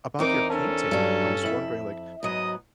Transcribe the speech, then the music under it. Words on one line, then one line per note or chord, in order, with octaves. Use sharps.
about your painting, I was wondering, like,
E2 C4 D#4 A#4 D6
C#4 D4 A4 A5
G2 F#3 D4
F2 E4 E5 F#7
G#2 F#3 B3 D#5 D#6